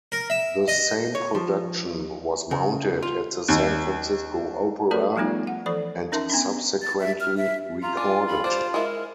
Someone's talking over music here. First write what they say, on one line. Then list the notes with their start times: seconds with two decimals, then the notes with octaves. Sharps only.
The same production was mounted at the San Francisco Opera and subsequently recorded.
0.12 A#4
0.30 E5
0.68 D#5
1.15 C#5
1.35 F3
2.51 C#3
3.03 F4
3.48 D#2
4.91 A3 F#4 A4 B4 D5
5.16 F3 G3 A3 B3 D#4 F4
5.47 F#5
5.66 E3 F3 A4 C5 B5
6.12 C#4 D#4 A#4 E5 A5 C6
6.30 B3 C#4 D4
6.82 A6
7.00 E5
7.20 F6
7.37 E5
7.83 F4 A#5
7.97 D4 G#5
8.28 B5
8.44 D4 C5
8.74 G#3 E4 A#4